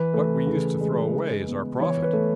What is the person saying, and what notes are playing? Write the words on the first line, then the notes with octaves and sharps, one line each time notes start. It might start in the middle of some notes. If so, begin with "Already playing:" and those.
What we used to throw away is our profit.
Already playing: E3 B4
A3
C#3
G#3
E3
B3
E3 C#5
B4
A3